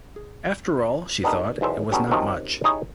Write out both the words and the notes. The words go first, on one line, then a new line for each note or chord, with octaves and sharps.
After all, she thought, it was not much.
G#4
B3 D4 D#4 G4 A4 A#4
B1 E2 C5 E5
F#3 B3 C#4 D4 G4 A4
C3 D#3 F3 F#3 C#4 D#4
D#4 E4 G4 G#4 C#5 D#5